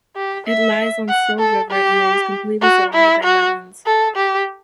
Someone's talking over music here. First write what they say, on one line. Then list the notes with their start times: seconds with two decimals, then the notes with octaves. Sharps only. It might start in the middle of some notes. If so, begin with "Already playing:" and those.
It lies on Sil River and it is completely surrounded by mountains.
0.16 G4
0.47 E5
1.09 F#5
1.39 A4
1.70 G4
2.62 F#4
2.94 E4
3.23 F#4
3.86 A4
4.16 G4